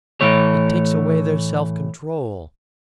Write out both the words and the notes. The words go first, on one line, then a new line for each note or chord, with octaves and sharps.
It takes away their self-control.
A2 E3 A3 C#5